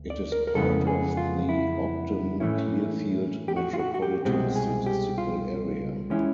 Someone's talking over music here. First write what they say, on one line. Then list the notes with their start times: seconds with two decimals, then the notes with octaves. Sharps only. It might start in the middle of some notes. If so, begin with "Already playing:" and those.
It is part of the Ogden-Clearfield Metropolitan Statistical Area.
Already playing: D2
0.10 D5
0.32 A#4
0.47 A#4
0.55 F2 C#3 E3 G#3 B3 A4
0.87 G#4
1.17 F4
1.49 E4
2.40 A2 E3 A3 C#4 E4
3.48 G4
3.56 F#4
3.73 F4
3.79 F#4
3.94 F#4
4.02 G4
4.25 C2 B2 G#3 C4 G4
4.56 G#4
4.86 G4
5.18 F4
6.10 E3 G#3 C#4 E4